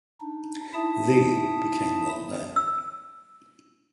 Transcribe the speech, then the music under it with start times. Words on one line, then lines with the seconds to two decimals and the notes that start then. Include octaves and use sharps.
The became well known.
0.21 D4 D#4
0.74 D#4 E4 E5 A5 D#6
2.56 E6